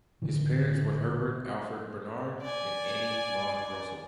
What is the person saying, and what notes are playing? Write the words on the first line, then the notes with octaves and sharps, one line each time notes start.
His parents were Herbert Alfred Barnard and Annie Maude Russell.
A1 D3 E3
D5 G#5